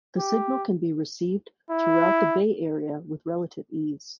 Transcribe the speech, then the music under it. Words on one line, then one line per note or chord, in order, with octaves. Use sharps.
The signal can be received throughout the Bay Area with relative ease.
G4
E4